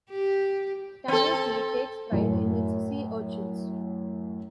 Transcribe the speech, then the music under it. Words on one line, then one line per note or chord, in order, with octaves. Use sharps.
Taneichi takes pride in its sea urchins.
G4
C4 A4
F#2 A2